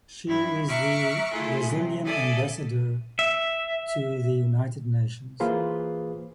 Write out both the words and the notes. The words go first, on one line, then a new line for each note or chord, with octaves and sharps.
She is the Brazilian ambassador to the United Nations.
G2 E4
E5 A#5 C#6 D6 F6 F#6
A3 E4 F4 G#4 A4
C3 F#3
A4 D5 E5 G#5 A5 D#6
E5
E3 A#3 F4 G#4 B4 C5